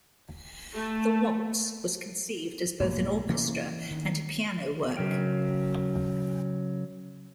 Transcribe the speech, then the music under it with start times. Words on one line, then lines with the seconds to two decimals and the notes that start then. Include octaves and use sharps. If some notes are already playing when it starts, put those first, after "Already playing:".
The waltz was conceived as both an orchestra and a piano work.
0.74 A3
2.80 B1 G#2 F#3 A#3
3.29 C3 E3 A#3 C#4
3.91 D#3
4.97 C#3 F#3 A#4 G5